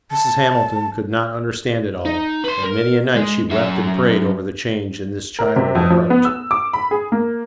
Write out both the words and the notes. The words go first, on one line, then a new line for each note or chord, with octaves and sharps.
Mrs. Hamilton could not understand it all, and many a night she wept and prayed over the change in this child of her heart.
A5
D#4
B4 C6
A#4
G#3
F#2 E5
A#4
C3
F2
F3
B3
E6
D6
B5
G#4
A#3